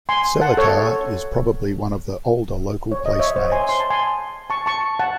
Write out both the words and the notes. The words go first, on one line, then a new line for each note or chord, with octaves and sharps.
Seletar is probably one of the older local place names.
G#5 C6
F#5 A5
A4 C#5
C#5
D#5
C#5 E5
C5 D#5
G#5 C6
C6
A5
G#5 C6
A5 C#6
A5 C#6
F#5 A5